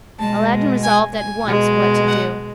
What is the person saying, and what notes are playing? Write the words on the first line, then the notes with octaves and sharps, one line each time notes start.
Aladdin resolved at once what to do.
B2 G#3 A5
G#5
G#5
B2 G#3
F#5